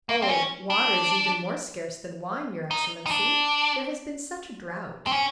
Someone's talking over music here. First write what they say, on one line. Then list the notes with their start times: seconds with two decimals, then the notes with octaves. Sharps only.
"Oh, water is even more scarce than wine, your excellency,--there has been such a drought."
0.09 A#3
0.22 C4
0.29 C#4
0.70 D4
2.71 D#4
3.06 D#4
3.11 D4
5.07 C4
5.12 C#4